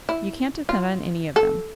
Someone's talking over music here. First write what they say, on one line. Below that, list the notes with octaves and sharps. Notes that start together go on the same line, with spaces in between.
You can't depend on any of them.
E4
F4
A4